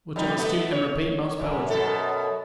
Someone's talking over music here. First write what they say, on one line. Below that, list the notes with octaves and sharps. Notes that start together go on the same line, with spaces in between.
Which of us two can repeat most poetry?
F2 G3 D#4
A3 B3
C#5
F#2
F#2 B2 A4